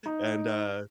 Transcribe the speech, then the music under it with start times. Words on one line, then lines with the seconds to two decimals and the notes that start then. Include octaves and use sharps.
And, uh
0.06 D#4